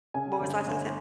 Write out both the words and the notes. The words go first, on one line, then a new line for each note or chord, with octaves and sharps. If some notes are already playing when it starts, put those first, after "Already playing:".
What was the last thing you said?
C#3 G#5
G1
G1